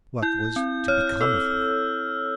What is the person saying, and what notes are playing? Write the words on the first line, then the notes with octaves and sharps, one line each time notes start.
What was to become of her?
E4 G6
C4
C#5 F6
A4 E6